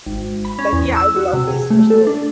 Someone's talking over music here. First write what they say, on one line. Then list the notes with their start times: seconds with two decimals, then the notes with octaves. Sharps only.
Like, yeah, I'd love this for sure.
0.06 G#1
0.45 B5
0.59 C#4
0.73 E2
0.96 E6
1.16 F#4
1.33 C3
1.47 G#4
1.70 A3
1.90 A4
2.07 D4